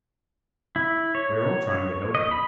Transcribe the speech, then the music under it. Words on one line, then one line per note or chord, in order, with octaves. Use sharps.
We are all trying to help him.
E4
C#5
D#5
B5